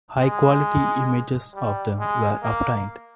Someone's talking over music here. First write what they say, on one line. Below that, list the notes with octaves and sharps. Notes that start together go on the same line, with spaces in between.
High-quality images of them were obtained.
G#3
G3
G#3
A#3